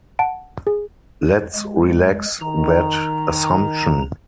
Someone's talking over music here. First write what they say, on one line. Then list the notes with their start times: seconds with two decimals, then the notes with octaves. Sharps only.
Let's relax that assumption.
0.19 F#5 A5 D7
0.67 G#4
1.54 G#3
2.41 D#3 A#5